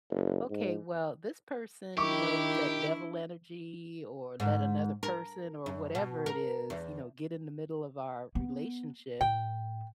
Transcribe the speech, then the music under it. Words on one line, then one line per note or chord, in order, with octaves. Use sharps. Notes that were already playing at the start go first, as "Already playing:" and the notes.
"Okay, well, this person, you know, let devil energy or let another person or whatever it is, you know, get in the middle of our relationship,
F#1
G#2
D#3 D4 E4 G4 C#6 D6
G#2
A#4
F#2
B2
A#4
E2
B3
A2 G5